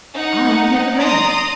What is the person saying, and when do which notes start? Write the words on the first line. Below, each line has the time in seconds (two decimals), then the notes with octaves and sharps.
"I have never read it."
0.14 D#4 F#5
0.97 D5 A#5 C6 D#6